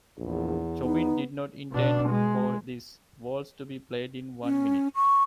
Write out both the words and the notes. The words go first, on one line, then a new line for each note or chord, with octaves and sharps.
Chopin did not intend for this waltz to be played in one minute.
A#1 E2
B3 D#4
B2 D4
G#3
C#4
C#6